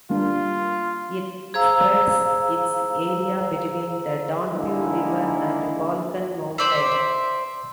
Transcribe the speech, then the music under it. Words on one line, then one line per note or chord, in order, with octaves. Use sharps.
It spreads its area between the Danube river and Balkan mountain.
G3 A#3 D4 F4
G#4 C5 F5 A#5 E6
D3 G#3 A#3 D#4 E4
C5 D5 E5